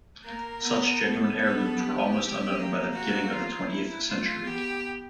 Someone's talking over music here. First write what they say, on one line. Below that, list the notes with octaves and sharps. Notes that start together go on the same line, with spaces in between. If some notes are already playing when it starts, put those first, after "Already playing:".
Such genuine heirlooms were almost unknown by the beginning of the twentieth century.
A#3 A#4
B3
B3 A4
A4
G4
A#3
F#4
F4
E4
A3 F4
B3 G4